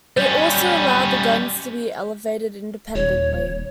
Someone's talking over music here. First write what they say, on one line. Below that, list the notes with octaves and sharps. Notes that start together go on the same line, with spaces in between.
It also allowed the guns to be elevated independently.
G3 C#4
D#1 C#5